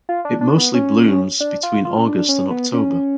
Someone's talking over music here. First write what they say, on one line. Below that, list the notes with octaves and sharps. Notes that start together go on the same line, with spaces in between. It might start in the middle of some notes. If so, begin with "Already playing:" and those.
It mostly blooms between August and October.
F4
D4
D4
B3
C#4
D4
F4
F4
C#4
D4
C#4
B3
C#4